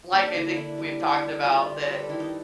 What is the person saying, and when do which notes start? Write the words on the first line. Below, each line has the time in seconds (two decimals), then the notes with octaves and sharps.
l like I think we've talked about that
0.12 A#3 D4
0.23 D#4
0.34 D3 E4
0.56 D3 E4
0.78 G3
1.00 D3
1.22 G3
1.44 G3 F4
1.66 D3
1.87 G3 B4
1.99 A4
2.09 D#3 E4
2.20 D#4